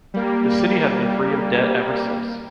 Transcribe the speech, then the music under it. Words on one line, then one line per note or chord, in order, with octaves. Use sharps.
The city has been free of debt ever since.
G3 A#3